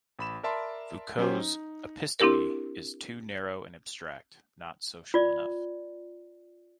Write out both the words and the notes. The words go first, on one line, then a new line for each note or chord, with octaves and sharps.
Foucault's 'episteme' is too narrow and abstract, not social enough.
A1 B5 E7
A#4 D5 E5 A5 B5 C6
F#3 C#4 G4 C5
D#4
C4 D4 E4 G4 A#4
F4 D5